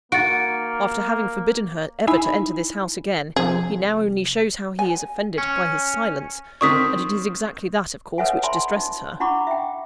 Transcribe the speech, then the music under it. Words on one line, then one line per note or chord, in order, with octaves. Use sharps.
After having forbidden her ever to enter this house again, he now only shows how he is offended, by his silence; and it is exactly that, of course, which distresses her.
A#3 F#4 A6 C#7 D7
D#4 E4 G#5 B5
C3 F3 G#4
G#5
C#4
D#3 C4 D4 C#6 D#6 B6
A4 B4 C#5 E5 F#5 G#5
D5 E5 G#5 A5 B5 C6
D#4
D4 E4 F#5 B5 C#6 D6
E5 G5